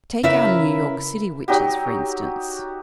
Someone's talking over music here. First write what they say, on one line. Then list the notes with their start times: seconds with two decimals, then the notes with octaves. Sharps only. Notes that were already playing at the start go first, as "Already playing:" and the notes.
Take our New York city witches, for instance.
0.23 C#3 E4 A#4 B4 E5
1.48 F#3 D#4 F#4 G4